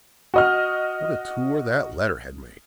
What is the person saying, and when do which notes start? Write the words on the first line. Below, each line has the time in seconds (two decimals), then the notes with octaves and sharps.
What a tour that letter had made!
0.34 F#4 D#5 F6